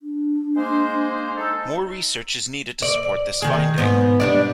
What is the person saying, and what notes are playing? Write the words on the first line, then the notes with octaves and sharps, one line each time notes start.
More research is needed to support this finding.
D4
G#3 A#3 C5
D#4 A4
D5
D#3 G#4
G#2 B3
G3 D4 D5